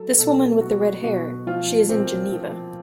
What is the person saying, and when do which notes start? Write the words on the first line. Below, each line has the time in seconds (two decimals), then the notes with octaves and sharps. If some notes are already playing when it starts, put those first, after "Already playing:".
This woman with the red hair — she is in Geneva.
Already playing: F#3 A4
0.18 B2 A4
0.61 F#3 F#4
1.03 B2 F#4
1.47 F3 F4
1.89 A#2 C4
2.32 F3